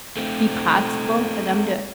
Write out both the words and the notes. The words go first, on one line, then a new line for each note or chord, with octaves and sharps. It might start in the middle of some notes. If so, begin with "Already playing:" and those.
be possible for them to
A3 C4